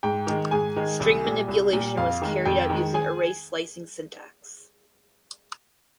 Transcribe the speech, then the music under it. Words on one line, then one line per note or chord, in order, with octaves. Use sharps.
String manipulation was carried out using array slicing syntax.
G#2 G5
D#3 G#3
G#2 G#4 G#5
D#3 G#3
C2
A#2 G3
C2
A#2 G3
F2 F5
D#3 G#3
F2 G5
D#3 G#3
G#4 G#5